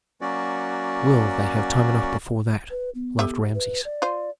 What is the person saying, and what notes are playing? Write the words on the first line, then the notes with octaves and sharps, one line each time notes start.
"Well, they have time enough before that," laughed Rameses.
F#3 A#3 C#4 F#4 D5
B4
B3
G4 A4 E5
B4
D5
F4 C5